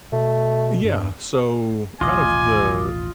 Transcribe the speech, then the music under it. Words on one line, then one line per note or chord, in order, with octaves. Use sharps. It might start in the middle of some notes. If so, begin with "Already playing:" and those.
Yeah, so, kind of the
B2 A3
G2
A1 D#2 B2 F4 D#5 G#5 D6